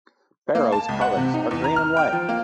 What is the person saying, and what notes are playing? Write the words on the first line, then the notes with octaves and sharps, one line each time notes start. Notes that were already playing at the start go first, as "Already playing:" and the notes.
Beroes colours are green and white.
A#3
A5
C#2
F#5
C3
D#4
E2
A#5
F6
G5
F3
A#3